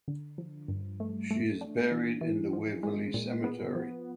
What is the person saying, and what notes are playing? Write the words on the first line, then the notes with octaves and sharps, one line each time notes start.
She is buried in the Waverly cemetery.
D3
F3
G2
A3
A3
D4
E3
E3
F3
G#3
A#2
B3
F3